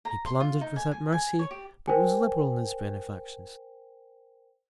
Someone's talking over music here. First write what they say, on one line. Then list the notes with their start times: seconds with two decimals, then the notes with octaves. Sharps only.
He plunder'd without Mercy; but was liberal in his Benefactions.
0.05 A#5
0.26 C6
0.40 F4
0.61 D#4
0.76 G#5
0.91 G#5
1.13 G#5
1.39 C#5
1.51 G4
1.87 A#4 C5 G5 G#5